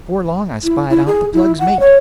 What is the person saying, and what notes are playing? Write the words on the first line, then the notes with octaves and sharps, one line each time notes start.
Before long I spied out the plug's mate.
E4
E4
G#4
E4
F#5
C#5